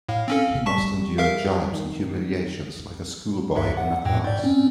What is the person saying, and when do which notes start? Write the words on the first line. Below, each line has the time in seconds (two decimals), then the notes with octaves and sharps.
He must endure gibes and humiliations like a schoolboy in a class.
0.09 A2 F5
0.28 C4 C#4 A4
0.66 G3 A5 C#6 B6
1.18 A#4 E5 F5
1.73 D#3
3.55 C#2 G2 E5
3.77 F#5
4.05 F2 A2 G5
4.24 G#2 D5
4.44 C4 C#4